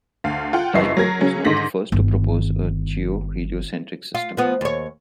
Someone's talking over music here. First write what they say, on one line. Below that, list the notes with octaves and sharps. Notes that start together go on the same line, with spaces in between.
Tycho was not the first to propose a geoheliocentric system.
D2 F5
F4 F#5 G5
F#1 F#2 E3 D#5 E5 C7
F#3 A#4 G#6 A#6
C#3 F#3 C#4
G#2 D3 D#3 A#6 B6 F#7
G1 D#3
F4
F3 B3
D#2 C#5